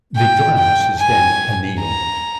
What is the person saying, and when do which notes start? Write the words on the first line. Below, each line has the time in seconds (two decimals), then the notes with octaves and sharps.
The glass is then annealed.
0.16 G5
0.58 G5
0.98 G#5
1.80 A#5